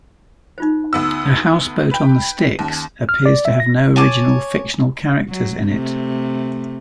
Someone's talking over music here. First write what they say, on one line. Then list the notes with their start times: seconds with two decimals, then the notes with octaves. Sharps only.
"A House-Boat on the Styx" appears to have no original fictional characters in it.
0.58 D#4 F4 C5
0.93 D2 B3 E6
1.91 B4 G5
2.59 D#2 C#4 A5
3.09 F6
3.26 D5
3.45 E5
3.60 A#6
3.96 C#5 G#5 A5 D6
5.29 F#3
5.67 C3 A3